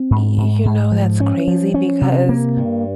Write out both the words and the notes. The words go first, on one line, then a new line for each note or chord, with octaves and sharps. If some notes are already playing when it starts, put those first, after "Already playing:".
Y you know, that's crazy because
Already playing: C4
G#2
G#2
G#2
F3
C#4
F3
C#4
C3
A#3
G2